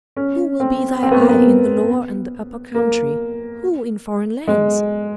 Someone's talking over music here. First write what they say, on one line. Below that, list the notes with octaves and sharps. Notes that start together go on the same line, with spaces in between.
Who will be thy eye in the Lower and the Upper Country, who in foreign lands?
C#4
C4
C4
B3
A#3
B3
A#3
G#3